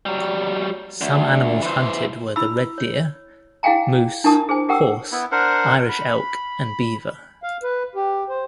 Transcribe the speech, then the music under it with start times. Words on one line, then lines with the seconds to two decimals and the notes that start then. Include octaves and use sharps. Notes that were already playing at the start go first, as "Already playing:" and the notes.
Some animals hunted were the red deer, moose, horse, Irish elk and beaver.
0.06 F#3 G3
1.01 D2
1.62 E3 C5
2.36 E4 B5 E6
2.78 C#5
3.63 E4 G#4 F5 G5 G#5 A#5
4.24 D4 E4 G4 A#4 A5 D#6
4.49 G#4 C5 G#5
4.69 G4 A#4 F#5 G5 D#6 E6
5.12 B3 E4
5.32 D4 A#4 C5 F#5
5.89 B5
7.43 F5
7.63 B4
7.95 G4
8.29 C5